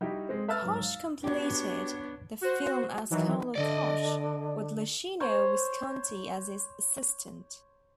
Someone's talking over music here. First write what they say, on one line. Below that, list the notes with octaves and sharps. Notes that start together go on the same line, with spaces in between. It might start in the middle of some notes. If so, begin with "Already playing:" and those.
Koch completed the film as "Carlo Koch", with Luchino Visconti as his assistant.
G3 D#4 E4 F#4 G4
G#3 C4
B4 E5 A5 E6 F6 A6
G#2 F#3
F5
B3 D4 F#4 G4 C#5
F#4 C5
D#3 E3 F#3
D3 D5 D#5
C5 C#5 A#5 C6